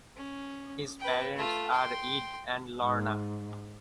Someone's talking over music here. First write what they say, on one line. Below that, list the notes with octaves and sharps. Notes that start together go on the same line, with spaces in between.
His parents are Ed and Lorna.
C#4
B4 G5
A3 F4
G5 C6
G#2